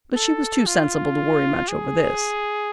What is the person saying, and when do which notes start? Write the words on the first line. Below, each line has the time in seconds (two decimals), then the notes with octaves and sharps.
But she was too sensible to worry much over this.
0.16 A4
0.66 F4
1.68 G#4